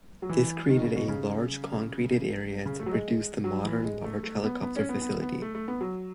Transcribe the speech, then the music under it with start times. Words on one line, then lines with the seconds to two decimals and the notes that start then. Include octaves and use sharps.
This created a large concreted area to produce the modern, large helicopter facility.
0.22 F#3
0.29 E3
0.69 D#3
0.77 B2
0.83 C#3
0.96 B2
1.08 C#3
2.66 C#3
2.80 A3
2.86 F#3
2.92 G#3
3.44 F#3
3.64 E3
3.84 G#3
4.04 A3
4.23 A3
4.44 B3
4.63 B3
4.76 C#4
4.89 B3
5.02 B3
5.22 B3
5.42 A3
5.55 A3
5.68 B3
5.81 F#3